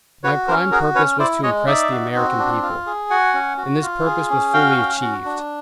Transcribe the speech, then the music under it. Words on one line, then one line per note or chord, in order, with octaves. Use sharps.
My prime purpose was to impress the American people; and this purpose was fully achieved.
F#4 B4 C#5
C#4 A#4 C5
F#4 G#4 A#4
C#4 B4 C#5
E4 C5 D5
G#3 C#5 D#5
D#4 D5 E5
F#4
C4
D4
F4
G#4
F#4 F#5 G#5
C#4
F#4
F4
G#4
C#4
F#4 F5 G5
C#4
F#4
D4